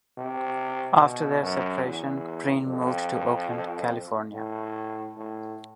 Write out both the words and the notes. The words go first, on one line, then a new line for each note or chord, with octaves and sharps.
After their separation, Breen moved to Oakland, California.
C3
B2
F#2
E2
F2
A2
A2